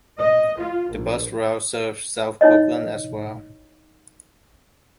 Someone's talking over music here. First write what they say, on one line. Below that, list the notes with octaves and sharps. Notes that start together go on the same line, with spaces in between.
The bus routes serve South Brooklyn as well.
D#5
F4
A#1
D#4 E4 C#5 D#5